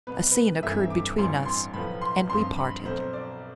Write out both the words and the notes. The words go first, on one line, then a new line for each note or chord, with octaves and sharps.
A scene occurred between us--and we parted.
C2 B2 B3 B4
B4
G1 G2 E3 A3 C4 E5
D6
A1 G2 E3 G3 C4 C6
C6
B1 A2 F3 B3 B5
C6
G2 F3 C4 C6
B5
B1 B2 A3 C4 C5
D5